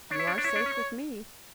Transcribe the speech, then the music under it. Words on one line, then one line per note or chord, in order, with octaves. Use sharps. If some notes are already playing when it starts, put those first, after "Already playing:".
"You are safe with me."
D4 C#5
E4
D4
D4
E4 C#5
D4
C#4